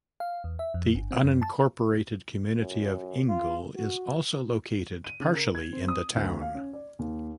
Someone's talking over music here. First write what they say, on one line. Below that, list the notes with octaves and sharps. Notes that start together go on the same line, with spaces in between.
The unincorporated community of Ingle is also located partially in the town.
F5
E2
E5
F2
G1
C4
F#2
A5
F#2
F4
F#4
D#7
C#3
A#4
G#6
C4
D#6
D2
F5
C#4
D5
D#2